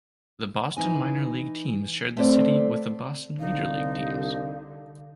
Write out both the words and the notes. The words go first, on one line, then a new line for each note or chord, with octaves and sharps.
The Boston minor league teams shared the city with the Boston major league teams.
E3 D#4 G#5
A3 B3 C4 A4 D5
C2 D3 D#4 F5